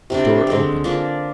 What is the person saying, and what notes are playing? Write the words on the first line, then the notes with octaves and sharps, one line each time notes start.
The door opened.
C3 G3 D4
D3 G#3 C4
F3 A#3 D4